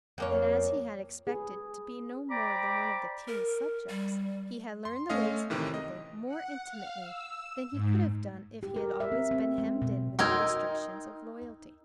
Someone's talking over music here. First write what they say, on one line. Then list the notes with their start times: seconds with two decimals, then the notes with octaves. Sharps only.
And as he had expected to be no more than one of the King's subjects, he had learned the ways of the people more intimately than he could have done if he had always been hemmed in with the restrictions of royalty.
0.18 F2 A#3 C#5
1.27 G#4 B4
2.30 C5 D5 G5 A#5 B5 D6
3.28 A#4
3.89 G3
4.85 C6
5.09 A3 C#4 D#5 F5
5.50 A2 C3 D#3 E3
5.74 D#5
6.26 F#5
6.68 F5
7.01 E6
7.72 G#2
8.63 G4
8.76 A#4
9.00 E5
9.12 C4
9.31 C4
9.58 G#3
9.82 B2
10.19 D#4 A#4 G5 C6 E6 G#6